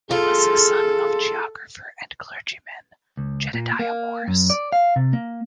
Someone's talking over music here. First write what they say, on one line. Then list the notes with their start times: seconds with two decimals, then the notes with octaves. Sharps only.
He was the son of geographer and clergyman Jedidiah Morse.
0.11 F4 G#4 A4
3.17 C#2
3.54 A#2
3.79 A#3
4.28 F#2
4.50 D5
4.72 F5
4.96 C3
5.13 A#3